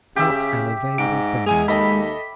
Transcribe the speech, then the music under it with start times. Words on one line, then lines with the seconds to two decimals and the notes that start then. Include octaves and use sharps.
Not an available bed.
0.16 C#3 G4 E5
0.98 G#2 D7
1.46 E2 G#3 G#4 G#5 F7
1.68 D#2 A4 D#5 B5